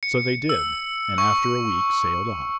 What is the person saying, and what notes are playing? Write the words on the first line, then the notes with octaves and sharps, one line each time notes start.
So they did, and after a week sailed off.
C#7
E6
C#6